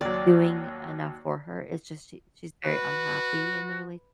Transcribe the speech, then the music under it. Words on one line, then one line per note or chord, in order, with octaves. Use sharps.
doing enough for her. It's just she she's very unhappy in the relationship,
D#2 F#3 D5
F#4 B4